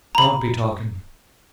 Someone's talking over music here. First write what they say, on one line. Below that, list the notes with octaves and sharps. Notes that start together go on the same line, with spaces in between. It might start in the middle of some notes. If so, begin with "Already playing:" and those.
Don't be talking!
A#5 B5